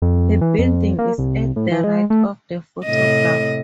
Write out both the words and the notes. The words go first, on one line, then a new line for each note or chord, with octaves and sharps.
The building is at the right of the photograph.
F2
E3
F2
A#3
C2
A2
E3
G#3
A3
A2 C3 D#5